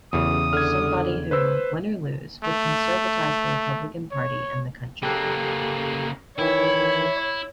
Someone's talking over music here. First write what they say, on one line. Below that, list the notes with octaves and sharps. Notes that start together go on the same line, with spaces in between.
Somebody who, win or lose, would conservatize the Republican party and the country.
A1 E2 C#3 D#6
D3 F6 G#6
B4 C5 E6
A3
C#5
C#3 A#3 G4 A4 F#6
D#3 E3 E4 C#5